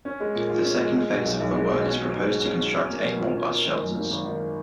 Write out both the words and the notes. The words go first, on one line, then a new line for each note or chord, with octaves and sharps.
The second phase of the work is proposed to construct eight more bus shelters.
C#4
G#3
A#2
F4
C#4
G#3
G#3
B2
B1
B1
G#3
B2
C#4
F#3
G#2
G#4
C#4
F#3
C#4
A#3
B2
F4
C#4
A#3
D#3
F#2
G#1
G#1
D#3